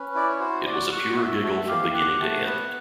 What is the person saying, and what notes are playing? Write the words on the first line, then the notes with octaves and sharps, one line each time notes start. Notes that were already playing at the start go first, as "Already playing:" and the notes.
It was a pure giggle from beginning to end.
Already playing: C#4 B4
E4 D5
C#5
F#4 C5
F#4 D5
F#4 F#5
F#4 E5
A3 E5
G4 F5
G4 F#5
A3
B3